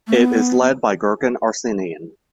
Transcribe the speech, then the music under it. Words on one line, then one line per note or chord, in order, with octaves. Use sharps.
It is led by Gurgen Arsenian.
A3
B3